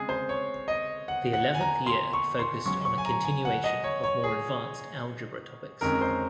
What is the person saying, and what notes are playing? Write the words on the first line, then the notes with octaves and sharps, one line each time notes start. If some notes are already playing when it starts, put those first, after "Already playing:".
The eleventh year focused on a continuation of more advanced algebra topics.
Already playing: C#3 G#3 C4 G#4
C5
C#5
D#5
F#5
F#5
G#5
A#5
C6
C#6
C6
C#3 F#3 C#4 C#6
C#6
G#5
A#5
G#5
F#5
D#5
C#5
C#5
G#4
F2 D#3 G#3 C#4 A#4
C5